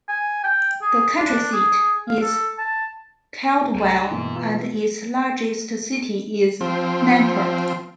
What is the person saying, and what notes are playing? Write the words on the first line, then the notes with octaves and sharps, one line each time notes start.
The county seat is Caldwell, and its largest city is Nampa.
G#5
G5
G#4
D4
G#4
F5
A4
A5
C2 A3 G#5 A#5
G2 B2 E3 G#3 A#3
F4 B4 E6
F3 C4